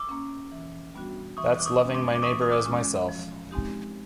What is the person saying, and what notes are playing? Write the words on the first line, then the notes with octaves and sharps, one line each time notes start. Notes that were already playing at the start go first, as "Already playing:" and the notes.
That's loving my neighbor as myself.
Already playing: D6 E6
A#3 C#4
E3
G3 B3 D4 F#4
E3 C#6 D#6
D6
C#6 D#6
G#3 C#4
C6 D6
D6
E3 C#6 D#6
D#6
D6 E6
G#3 C#4 F4
F3
G#3 C4 D#4 G4